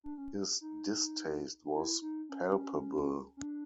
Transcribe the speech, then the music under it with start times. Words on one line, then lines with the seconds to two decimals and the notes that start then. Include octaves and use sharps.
His distaste was palpable.
0.04 D4
0.18 C#4
0.61 D#4
1.73 E4
2.02 D#4
2.29 C#4
3.37 C#4
3.43 D4